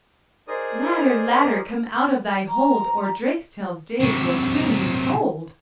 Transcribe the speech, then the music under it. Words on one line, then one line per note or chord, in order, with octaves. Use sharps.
'Ladder, Ladder, come out of thy hold, Or Drakestail's days will soon be told.'
D#4 G#4 A#4 C5 D5 D#6
A#5
C3 F#3